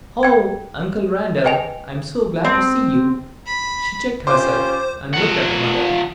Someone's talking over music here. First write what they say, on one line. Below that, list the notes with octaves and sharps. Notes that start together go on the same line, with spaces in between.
"Oh, Uncle Randal, I'm so glad to see you!" She checked herself, and looked at her mother.
G5 G#6
B4 D#5 G5 G#5 F7
C4
B5
C#4 F4 G4 C5 C6 D6
F3 F#5